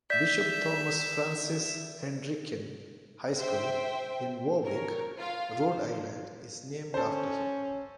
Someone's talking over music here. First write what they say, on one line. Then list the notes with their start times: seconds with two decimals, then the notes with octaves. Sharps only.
Bishop Thomas Francis Hendricken High School in Warwick, Rhode Island is named after him.
0.10 D5 E5 G6 B6
3.38 C5 E5 G5
4.63 A#4 C#5
5.19 F4 F5
5.69 C5
6.94 C#4 A4 C5